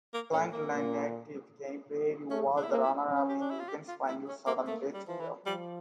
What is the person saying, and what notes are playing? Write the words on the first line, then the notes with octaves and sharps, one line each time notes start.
Franklin native Kenny Perry was the runner-up in the event's final sudden-death playoff.
A#3
A2 C#4
A#3
A#2
A3 C#4
D4
E4
A#3 D4
E4
C#4
G4
D4
E4
F4
G4
F4
E4
C#4
A#3
A3 A#3
G3
E3 F3
E3
F3 G3